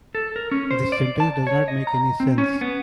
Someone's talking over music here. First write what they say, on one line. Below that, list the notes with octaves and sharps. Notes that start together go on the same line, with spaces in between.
This sentence does not make any sense.
A4
A#4
C#4
C5
D5
A5
C#5
D#5
A#5
C4
C#4
B3